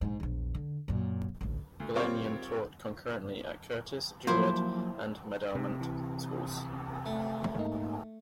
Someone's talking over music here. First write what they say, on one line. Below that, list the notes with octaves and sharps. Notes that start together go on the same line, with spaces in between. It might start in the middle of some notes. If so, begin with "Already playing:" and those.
Galamian taught concurrently at Curtis, Juilliard, and Meadowmount schools.
A#1 G#2
A#1 E2
D3
F#2 A#2
A1 D2
D2
G3 C4 F4 A#4 C#5 D5
F3 F#3 A#3 E4 C5
C3
E3
A3
G#2 A#3 D#4